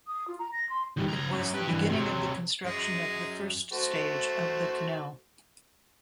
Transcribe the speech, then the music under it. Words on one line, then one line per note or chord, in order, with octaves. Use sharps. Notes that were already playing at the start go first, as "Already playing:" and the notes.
It was the beginning of the construction of the first stage of the canal.
D#6
F4
A#5
A#6
C6
D#3 G3
C#2 A#5
F#2
G4 B4
G2 E3
C3 F#3
F#2 G#3
A3 F#4 C5